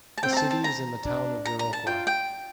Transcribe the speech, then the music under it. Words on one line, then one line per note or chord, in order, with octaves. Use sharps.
The city is in the town of Viroqua.
A5
C4 G5
A#5
A5
A5
A#5
D4
A#5
A#5
A5
F4 G5
G5